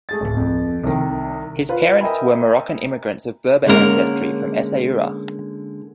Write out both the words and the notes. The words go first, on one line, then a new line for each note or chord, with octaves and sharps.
His parents were Moroccan immigrants of Berber ancestry from Essaouira.
A3 G#4 A6
D1
F2
C2 D#3
F4 B4
A#4 D#5 E5 G5 G#5 B5
D3 G#3 A#3 C#4 E4 A#4